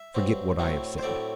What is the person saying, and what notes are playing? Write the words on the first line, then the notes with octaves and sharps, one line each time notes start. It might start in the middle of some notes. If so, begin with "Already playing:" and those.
Forget what I have said.
Already playing: E5
G2 F#3 C4
A2 F#3 A3 C4
C5
A2 F#3 A3 C4 D5